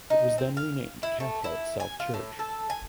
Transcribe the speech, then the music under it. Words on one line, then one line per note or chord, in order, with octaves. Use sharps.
It was then renamed Cathcart South Church.
D#4
C4
F5
E4
A3
E4
G#5
F4
A2
A4
G#5